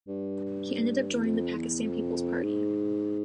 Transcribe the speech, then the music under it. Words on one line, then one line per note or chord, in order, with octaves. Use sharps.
He ended up joining the Pakistan Peoples Party.
G2
E2
F2
E2
F2
G#2